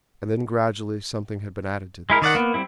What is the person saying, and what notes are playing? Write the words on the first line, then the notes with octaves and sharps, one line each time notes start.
And then gradually something had been added to this.
G#3 E4 A#4
D#3 D5 F#5
A#3 B3
G3 C4 E4